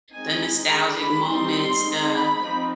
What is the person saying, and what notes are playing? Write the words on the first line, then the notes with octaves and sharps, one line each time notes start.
the nostalgic moments, the
G#3 C4 D#4 G#5
D3 G#3 D4 B5
B5
G3 C4 D#4 C6
C6
G#3 C4 D#4
B5
F3 C4 D#4